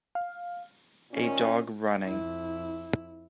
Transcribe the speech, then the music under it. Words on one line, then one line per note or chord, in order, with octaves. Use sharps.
A dog running.
F5
A#2 D#3 C#4
F2 E4